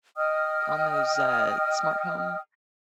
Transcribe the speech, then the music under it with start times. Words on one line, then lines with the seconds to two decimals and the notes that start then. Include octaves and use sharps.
on those, uh, smart home
0.16 D#5 G5 D#6 F6